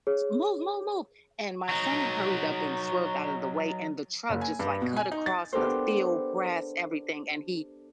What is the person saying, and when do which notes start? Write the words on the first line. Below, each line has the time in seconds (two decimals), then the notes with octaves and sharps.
"Move move move." and my son hurried up and swerved out of the way and the truck, just, like, cut across the field, grass, everything, and he
0.07 G#4 C#5
1.69 F#3 D#4
4.29 F#1
4.41 G#5
4.60 G2
4.82 B2
4.96 G#5
5.12 D#4
5.26 A6
5.53 B3 D4 G4 A4 A#4 C5